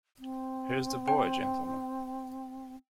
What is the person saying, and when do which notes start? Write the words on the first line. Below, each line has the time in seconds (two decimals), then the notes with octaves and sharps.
Here's the boy, gentlemen!
0.19 C4
1.08 G5